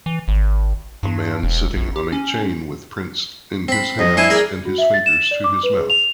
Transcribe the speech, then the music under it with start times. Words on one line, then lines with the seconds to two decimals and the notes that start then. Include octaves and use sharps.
A man sitting on a chain with prints in his hands and his fingers to his mouth.
0.06 E3
0.28 G#1
1.03 G2
1.43 E1
1.77 A#1
1.96 G4
2.12 C#4
3.68 C4 B5
3.99 F2 D#5
4.17 D4 E4 C5 G#5 D#6
4.30 G#4 A#4 D5
4.65 F#4
4.78 E5
4.94 A6
5.06 E7
5.31 D5
5.44 D6
5.63 B4
5.78 G#4
5.90 F7